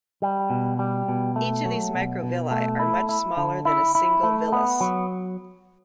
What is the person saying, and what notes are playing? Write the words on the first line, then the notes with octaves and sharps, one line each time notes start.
Each of these microvilli are much smaller than a single villus.
G3
B2
G3
B2
A3
F#3
B2
B2
A3
E4
E4
D3
E4
E4
A3
B3
F#3